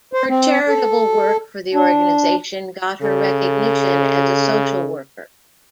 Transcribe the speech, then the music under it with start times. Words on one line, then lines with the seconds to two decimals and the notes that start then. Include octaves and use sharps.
Her charitable work for the organisation got her recognition as a social worker.
0.13 C5
0.29 C4
0.69 A4
1.74 D4
3.01 C#3 A4